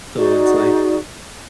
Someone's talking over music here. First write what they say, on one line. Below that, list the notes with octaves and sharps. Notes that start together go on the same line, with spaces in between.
So it's like
D#4 F#4 G#4 D5